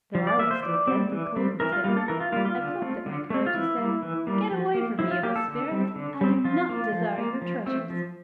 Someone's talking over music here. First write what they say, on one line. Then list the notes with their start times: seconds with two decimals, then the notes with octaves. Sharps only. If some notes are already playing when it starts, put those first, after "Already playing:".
'Though I was still deadly cold with terror I plucked up my courage and said: "Get away from me, evil spirit; I do not desire your treasures."
0.15 F3
0.27 D5
0.39 A#3 E5
0.51 C5
0.63 E3 D5
0.87 G3 C4
1.12 E3
1.36 G3 C4
1.60 E3 A#4
1.72 F4
1.84 G3 A#3 F4
1.97 A4
2.08 E3 A#4
2.20 F4
2.32 G3 A#3 F4
2.45 F4
2.58 D3
2.82 A3 C4
3.06 D3
3.30 A3 C4
3.47 F4
3.54 E3 E4
3.78 G3 A#3
4.02 E3
4.27 G3 A#3
4.51 F3
4.75 A#3
4.99 F3 E4
5.11 F4
5.23 A#3 G4
5.36 A4
5.48 D3
5.71 G3 C4
5.96 D3
6.21 G3 C4
6.44 F3 F4
6.69 A#3
6.92 F3
7.18 A#3
7.42 F3
7.66 A3 C4
7.90 F3